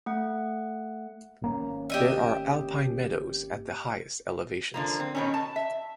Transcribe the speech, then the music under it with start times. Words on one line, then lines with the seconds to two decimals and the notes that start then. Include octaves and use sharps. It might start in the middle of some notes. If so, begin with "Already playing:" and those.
There are alpine meadows at the highest elevations.
0.06 A3 F#5
1.42 G#1 A#3 C#4
1.90 G4 D#5 E5
4.74 D3 F3 A#3
5.00 C4
5.15 B2 D#3 C#4
5.34 A5
5.56 E5